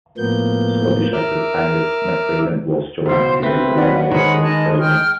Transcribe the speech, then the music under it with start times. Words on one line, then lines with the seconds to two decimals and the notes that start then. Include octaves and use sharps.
Scottish actor Angus Macfadyen was chosen to play the United States President.
0.18 A2 F3 A#3 B3 G6
1.13 A#4 E5 D6 E6 F6
3.06 C#2 B2 C5
3.43 C4 B4 E5
3.78 F#3 C#4 D4 F#5
4.12 D#3 G#3 C#4 G#4 B4 C5 F#5 B5
4.42 D#5 A5
4.80 G5 F6